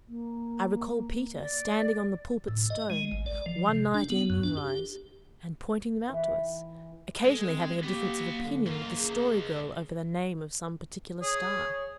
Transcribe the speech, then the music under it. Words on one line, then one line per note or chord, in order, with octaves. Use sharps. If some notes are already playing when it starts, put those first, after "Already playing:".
I recall Peter standing on the Pulpit Stone, one night ere moonrise, and pointing them out to us, occasionally having a difference of opinion with the Story Girl over the name of some particular star.
A#3
D5
A2
D#5
G#3
G#1
D5
F3
C3
D4
B3
F#2
D4
G4
E3 G5
G#3 A4
C4
F#3 A#3 B3 G4
D3
F#2 A#3 F4
C#2 G#4
G#4 C#5